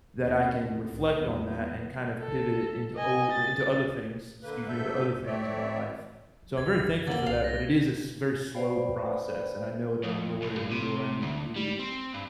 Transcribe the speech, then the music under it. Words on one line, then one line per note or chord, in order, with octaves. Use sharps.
that I can reflect on that and kind of pivot it into o into other things- excuse me- into other things in my life. So I'm very thankful for that, but it is a s very slow process, and I know that I'm nowhere near where I need to be.
D#2 C3 C4
C2 A2 D#3
E2 D#3 F#3 G3 B3
A4
D#5 G#5
A6
D3 A#3 B4
G#2 A4 E5 G6
A3 C4 C#5 D5 E5
F3
E2 G#6
F#2 G3
D3 A#3 A6 F#7 G7
C2 F5
A#6
B4 C5 D5 F5 G5 B5
F2
C2
G2
C3
D2
G3
C4
G2